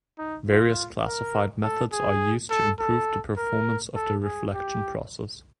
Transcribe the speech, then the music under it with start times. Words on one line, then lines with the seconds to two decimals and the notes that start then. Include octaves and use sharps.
Various classified methods are used to improve the performance of the reflection process.
0.18 D#4
0.48 F4
1.06 A#4
1.63 A4
1.92 G#4
2.50 A4
2.79 A4
3.37 A#4
3.95 A4
4.24 G#4
4.54 G4